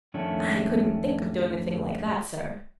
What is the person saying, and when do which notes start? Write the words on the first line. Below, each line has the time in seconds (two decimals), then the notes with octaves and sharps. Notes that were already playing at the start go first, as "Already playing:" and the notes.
"I couldn't think of doing a thing like that, sir."
0.14 F2 A2 D#3 A3 C#4 D4